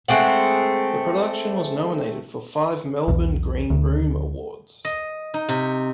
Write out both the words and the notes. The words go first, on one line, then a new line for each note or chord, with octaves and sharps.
The production was nominated for five Melbourne Green Room Awards.
G#3 A3 C4 F#5
B1 E2
D2
D#5
D#4
C3